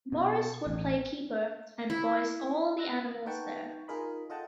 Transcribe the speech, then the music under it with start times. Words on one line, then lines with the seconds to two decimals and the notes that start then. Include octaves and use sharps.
Morris would play keeper and voice all the animals there.
0.12 B2
0.66 A1
1.90 E4
2.78 E6 F#6 A#6
3.26 D#4 B4 F#5 G5 A5 C#6
3.88 D#4 F4 G#4 A#4 D#5 B5
4.30 F4 A4 D#5 F#5 G5 A5